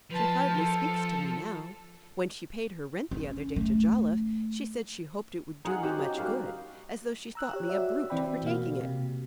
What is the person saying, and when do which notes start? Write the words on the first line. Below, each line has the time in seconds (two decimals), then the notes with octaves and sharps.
"She hardly speaks to me now. When she paid her rent the other day to Jolliffe, she said she hoped it would do me much good; as though she thought me a brute for taking it."
0.11 F3 B4 A5
0.56 A4
3.11 C#4
3.56 A3
5.65 D#4 F4 G#4 F#5
5.83 C4 C#4 F#4 G4
5.98 D#4 G4
6.18 G3 A#3 F#4 F5
7.35 A#5 E6 F#6
7.54 G4 C#5
7.69 F#4 G4 D5 E5 E6
8.10 E3 C4 D5 G5 B5
8.43 B2 A#3 F#4 F5
8.77 C3 G4